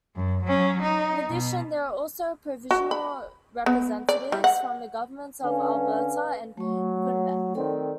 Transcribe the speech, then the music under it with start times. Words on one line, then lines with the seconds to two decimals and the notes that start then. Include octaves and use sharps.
In addition, there are also provincial representatives from the Governments of Alberta and Quebec.
0.16 F#2
0.44 F#3 C#4
0.82 D#4
1.30 B2
2.71 F#4
2.91 B5
3.66 B3
4.09 D5
4.32 G3
4.44 F#5
5.43 D3 C#4 B4 F5
6.57 F#3 A3 C#6
7.55 D#3 C4 A4 D5